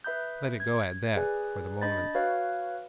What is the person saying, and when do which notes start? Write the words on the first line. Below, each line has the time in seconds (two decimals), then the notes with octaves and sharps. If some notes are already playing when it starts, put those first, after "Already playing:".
Let it go at that, for the moment.
0.04 B4 E5 B5 D#6 G6
0.60 G#6
1.16 G#4 B4 D5 G#5
1.82 D4 D#5 B5 G6 A6
2.15 F#4 B4 C#5 F5